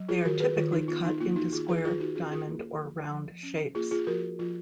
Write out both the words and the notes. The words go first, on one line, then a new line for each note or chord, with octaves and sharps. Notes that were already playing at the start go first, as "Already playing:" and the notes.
They are typically cut into square, diamond, or round shapes.
Already playing: F#3
F4 G#4
D#3 F#4 A#4
G#4 B4
D#3 F4
D#4
B3 F4
D#4
A#3 F4
D#4 F#4
D#3 F4 G#4
G#4 B4
D#3 F4 G#4
D#4 F#4
C#4 F4 G#4
F4 G#4
A#3
F3
F3
C#4
A#3 F4 G#4
F4 G#4
F3 F#4 A#4
F3 F4